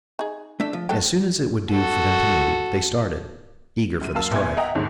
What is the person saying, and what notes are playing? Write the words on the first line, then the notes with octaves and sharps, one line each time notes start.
As soon as it would do for them to move, they started, eager for the strife.
D#4 G#4
A3 D4 E5
F3
F#3 G#3 A3 A4 G5
F#4 A4
F#2 D#7
F#2 A#3 F5 A5 E6
A#2 B3 E4 G#5 C6 G#6
D#5 E5 F#5 G5 A#5 D#6
D#2 G#2 D3 D#3